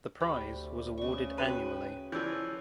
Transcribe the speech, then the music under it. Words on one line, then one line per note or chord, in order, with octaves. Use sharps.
The prize was awarded annually.
D2 G4 C5 B5
C#3 C#6
F#4 B4 G5 D#7
E3 F3 C#5 D5 E6 G6